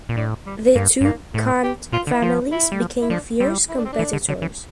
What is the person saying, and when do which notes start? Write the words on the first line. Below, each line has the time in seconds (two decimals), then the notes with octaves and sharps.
The two Cant families became fierce competitors.
0.09 A#2
0.17 A2 D4
0.46 G3
0.75 G2 A#3
1.01 G2 A#3
1.34 A2 A3
1.63 G4
1.92 A#2 F4
2.07 D3
2.12 E4
2.22 F3 F4
2.52 E4
2.72 G3
2.82 F3
3.02 E4
3.10 F3 D4
3.40 G3 C4
3.69 E4
3.77 D4
3.85 C4
3.93 D4
3.99 E3
4.13 D3
4.29 D3
4.42 E3